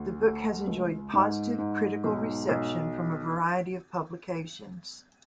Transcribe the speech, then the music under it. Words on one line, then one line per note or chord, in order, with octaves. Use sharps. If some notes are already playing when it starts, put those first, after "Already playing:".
The book has enjoyed positive critical reception from a variety of publications.
Already playing: D2
A3
C#2
G#2
G#2
B1
B1